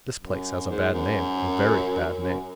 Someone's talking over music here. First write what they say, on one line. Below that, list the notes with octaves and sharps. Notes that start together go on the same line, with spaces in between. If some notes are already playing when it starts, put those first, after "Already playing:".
This place has a bad name,--a very bad name.
F#2
G#2
F#2
F#2